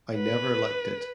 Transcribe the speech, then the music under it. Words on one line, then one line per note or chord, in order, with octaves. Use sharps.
I never liked it.
B4